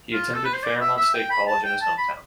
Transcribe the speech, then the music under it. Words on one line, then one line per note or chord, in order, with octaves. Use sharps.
He attended Fairmont State College in his hometown.
F4
A4
B4
C5
D5
E5
E5
G5
B5
A5
G5
A5
B5